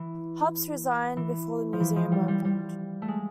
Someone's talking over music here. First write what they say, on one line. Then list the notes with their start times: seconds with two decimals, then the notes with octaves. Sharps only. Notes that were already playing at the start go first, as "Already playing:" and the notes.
Hopps resigned before the museum opened.
Already playing: E3
1.17 E3
1.73 F3
1.80 E3
1.96 F3
2.12 G3
2.28 G3
2.45 G3
3.02 A3
3.08 G#3